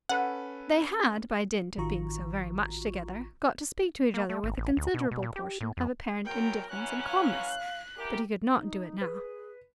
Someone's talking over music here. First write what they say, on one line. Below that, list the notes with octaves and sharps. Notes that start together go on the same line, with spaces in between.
They had by dint of being so very much together, got to speak to each other with a considerable portion of apparent indifference and calmness; but he could not do it now.
C#4 A4 B4 F#5
A1 D#3 F4 F#4 A#5 C#6
A#3
A3
G#1
A1
D2
B2
B2
A#2
G4
A2
F2
E2 F#3 A#4 G5
E3 F#3 C#4 F#6
F5
E2 G4 A#4
D#4
G#4 B4